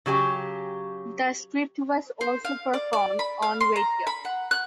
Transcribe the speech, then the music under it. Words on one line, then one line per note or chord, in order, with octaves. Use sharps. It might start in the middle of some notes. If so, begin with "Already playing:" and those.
The script was also performed on radio.
C#3 F#3 G4 G#5
C5
F5
D5
D5
B5
F5
C6
A#5
B5
F#5
F#6